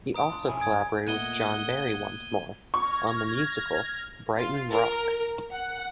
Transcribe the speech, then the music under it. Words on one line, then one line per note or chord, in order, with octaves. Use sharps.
He also collaborated with John Barry once more, on the musical "Brighton Rock".
F1 A2
A#5 D#6 D7
D4 F4
A2 C3 C#4 E4 G#4
G2 D#6 G#6 D7
A#2 A3 B3 D#5 F#5 G#6 D#7 G7
C#6 F6 G#6 A#6
F4
A#4
F#5